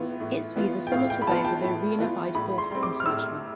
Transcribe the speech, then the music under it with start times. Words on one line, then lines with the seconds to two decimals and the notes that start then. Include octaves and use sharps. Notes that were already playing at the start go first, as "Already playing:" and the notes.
Its views are similar to those of the reunified Fourth International.
Already playing: A2 E3 B3 F4
0.20 A2
0.56 E3 B3 F4
0.87 G5
0.92 A2 F5
1.10 G5
1.22 B5
1.27 E3 B3 F4 A5
1.45 G5
1.64 A2
1.98 E3 B3 F4
2.35 A2 B5
2.58 C6
2.71 G3 C4
2.83 D6
3.00 F6
3.06 A2 E6